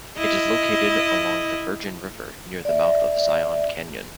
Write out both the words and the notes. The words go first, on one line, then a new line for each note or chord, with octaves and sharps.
It is located along the Virgin River near the mouth of Zion Canyon.
E4 D#5
D5 E5